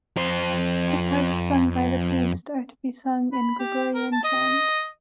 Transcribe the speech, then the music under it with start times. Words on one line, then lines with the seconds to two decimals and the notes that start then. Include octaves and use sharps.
The parts sung by the priest are to be sung in Gregorian chant.
0.17 F2 C5
3.33 B5
3.59 G4
3.94 A#4
4.12 A5
4.24 D#5